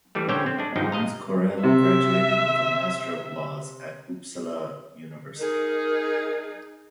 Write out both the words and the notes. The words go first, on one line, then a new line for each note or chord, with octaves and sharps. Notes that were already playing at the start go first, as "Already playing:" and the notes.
Hans Corell graduated with a Master of Laws at Uppsala University.
E3 G3 A3
A#1 D3 C#4 C5 C#5 G5
C4
G#3 D4
G#1 G2 F3 D#4 G5
G2 D#5 F5 A#5
C3 E5
D#4 G#4 A#4